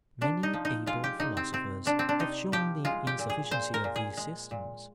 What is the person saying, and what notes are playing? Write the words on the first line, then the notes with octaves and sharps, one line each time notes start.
Many able philosophers have shown the insufficiency of these systems.
C3 D4
D#4
F3
D#4
G#3 F4
G4
C3 D#4
C4
C3 C4
C3 D4
C4
D4
C3 D#4
F3 G4
G#3 F4
G4
A#2
G#4
A#2 C5
A#4
A#2
G#4
G#3
A#2